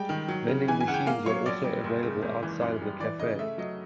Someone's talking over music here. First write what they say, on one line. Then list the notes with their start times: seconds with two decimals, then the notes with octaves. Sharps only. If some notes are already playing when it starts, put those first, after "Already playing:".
Vending Machines are also available outside of the Cafe.
Already playing: G3 G#3 G5
0.09 D#3
0.28 F#3
0.48 C#3
0.68 E3 G#5
0.81 G#5
0.88 C#3 F#5
0.94 G5
1.06 A#3 F5
1.26 F#3 C#5
1.46 A#1 D5
1.64 G3
1.84 F#1
2.03 C#3
2.22 G#1
2.43 E3
2.62 F#2
2.82 G3
3.00 E3 D5
3.19 C#3 D#5
3.39 A3 E5
3.58 F#3 D#5